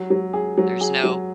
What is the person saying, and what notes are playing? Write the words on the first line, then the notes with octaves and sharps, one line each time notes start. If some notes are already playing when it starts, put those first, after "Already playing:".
There's no
Already playing: F#3
F#3
G#4
F#3
G#4
F#3